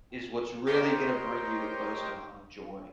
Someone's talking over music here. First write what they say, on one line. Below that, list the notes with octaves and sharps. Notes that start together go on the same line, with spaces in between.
is what's really gonna bring you the most amount of joy,
G4 A#4 C5 C#5 D#5 G5